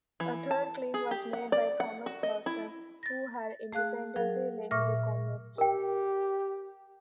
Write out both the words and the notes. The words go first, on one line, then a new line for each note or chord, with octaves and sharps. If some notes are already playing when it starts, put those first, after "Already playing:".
A third claim was made by Thomas Clausen, who had independently linked the comets.
E3
A5
G#4
G4
F#5
D5
F#5
F#4
D#5
E4
A6 A#6
A3 G#4 F5 F#6
F#3 G#4 A#4 F5
A#2 E5 C#6 F6 A#6
G4 A#4 G5